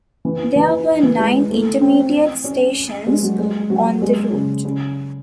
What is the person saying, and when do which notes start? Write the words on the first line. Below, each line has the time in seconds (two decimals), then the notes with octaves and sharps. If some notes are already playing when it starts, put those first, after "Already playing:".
There were nine intermediate stations on the route.
0.25 E3
0.56 E3
1.03 E3
1.19 G#3
1.50 A3
1.81 C4
2.44 C#4
3.07 G#3
3.23 F#3
3.39 G#3
3.70 F#3
4.02 G#3
4.33 C#3
4.64 C#3